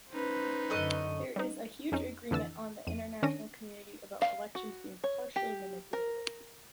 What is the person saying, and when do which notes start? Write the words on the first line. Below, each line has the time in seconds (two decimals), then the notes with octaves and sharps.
There is a huge agreement on the international community about elections being “partially” manipulated.
0.11 C#4 D#4 B4 C5
0.70 F#2 D3 A3 D#5 F#6
1.36 G3 C#4 D#4
1.92 F2 C#4 D#4
2.31 F2 D3 E3 E6 A6
2.87 F2 D#7
3.23 D#3 C#4 D4 A#6 D#7
4.22 F5
4.55 F#4
5.04 C#5
5.36 G4
5.93 A#4